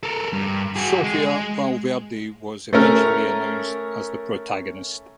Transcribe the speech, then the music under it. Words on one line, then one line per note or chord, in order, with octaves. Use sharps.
Sophia Valverde was eventually announced as the protagonist.
A4 A#4
G2
F#4 G#4
G#3
A3 C#4 A#4